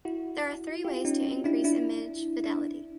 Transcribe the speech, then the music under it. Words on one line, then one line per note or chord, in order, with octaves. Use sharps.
There are three ways to increase image fidelity.
E4 F#4
F4 G4
C#4 D#4
D4 E4
D4 E4
D4 E4